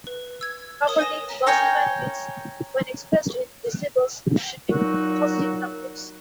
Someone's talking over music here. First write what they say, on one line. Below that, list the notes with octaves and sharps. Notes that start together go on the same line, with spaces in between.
Properly, loss quantities, when expressed in decibels, should be positive numbers.
B4
E6 G#6
A#4 C#5 D#6
B4 G#5 D#6 A#6 E7
A#4 C#5 G5 G#5
A#2 F#3 D#4 F#4